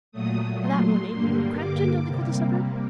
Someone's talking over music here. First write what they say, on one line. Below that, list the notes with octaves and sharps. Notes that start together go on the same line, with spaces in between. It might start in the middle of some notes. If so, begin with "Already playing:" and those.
That one,--in Crampton, don't they call the suburb?
A#2 F#3 A3 D#6
C6
G2 D3 G3 A#3
D6
C3 G3 A#3